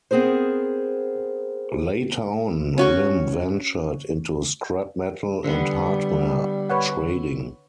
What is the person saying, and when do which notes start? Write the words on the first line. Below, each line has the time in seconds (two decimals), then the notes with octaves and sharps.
Later on Lim ventured into scrap-metal and hardware trading.
0.11 B3 C4 G#4 A#4 C5
2.78 C#4 F#4 C#6
5.44 D3 G3 B3
6.70 B4 C#5 F#5